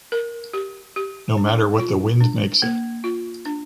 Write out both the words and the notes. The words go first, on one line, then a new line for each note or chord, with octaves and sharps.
No matter what the wind makes it!
A#4
G4
G4
D4
F4
D4
A#3
F4
D4